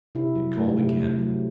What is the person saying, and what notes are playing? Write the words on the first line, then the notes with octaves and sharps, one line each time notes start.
It called again.
C3 E4
F#3
A3
C3
C3
F#3